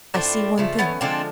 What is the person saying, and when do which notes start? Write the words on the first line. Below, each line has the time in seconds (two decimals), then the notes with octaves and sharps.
"I see one thing."
0.14 A2 F3 A3 C4 D4
0.58 C#3 F3 A3
0.79 B3 C#4
1.01 D3 F3 G#3 C4 D4